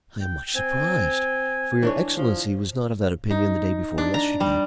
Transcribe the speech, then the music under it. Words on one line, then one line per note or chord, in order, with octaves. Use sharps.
"I am much surprised, for your excellency was not of that opinion the day before yesterday."
G5
C4 G#5
E3 D4 C#5
F3
D#4
D4
A#5
G3